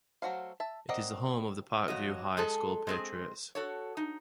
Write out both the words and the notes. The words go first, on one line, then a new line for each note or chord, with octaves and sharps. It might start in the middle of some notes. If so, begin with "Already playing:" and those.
It is the home of the Park View High School Patriots.
F#3 A3 F#4 C5 F5
E5 A5
C4 A#4 D5 D#5 F#5
F2 F#3 D#5
G#3 G#4 A4
G#3 C4 G#4
F#4 A4 C#5
D#4